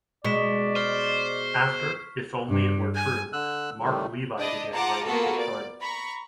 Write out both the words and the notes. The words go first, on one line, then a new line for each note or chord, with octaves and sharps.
After If Only It Were True, Marc Levy began writing full-time.
B2 G#3 D5 C#6 B6 E7
C5 F6
G2
G#5
D3 E6 F#6
A2 C3 D#3 G3 A3
D4 E4 D5 D#5
F4 F#5 A5 A#5 D6
A#3 B3 F4 F#4 A4
D5
A#5 B5 C#6